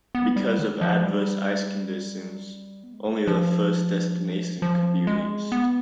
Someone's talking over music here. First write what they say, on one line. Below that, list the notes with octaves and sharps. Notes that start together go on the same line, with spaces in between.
Because of adverse ice conditions, only the first destination could be reached.
B3
G3
D#3
F3
G3
B3
G#3
G3
G#3
F3
F3
G#3
B3